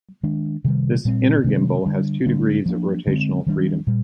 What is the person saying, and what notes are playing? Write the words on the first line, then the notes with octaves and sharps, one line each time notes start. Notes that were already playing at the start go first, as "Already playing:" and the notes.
This inner gimbal has two degrees of rotational freedom.
D#3 G#3 D4
C3 D#3 G3
A#2 G3 C4
C3 D#3 G#3 C4
D3 G3 D4
D3 G3 A#3 D4
F3 A#3 D4
D3 G#3 C4
D#3 G3 D4
A#2 G3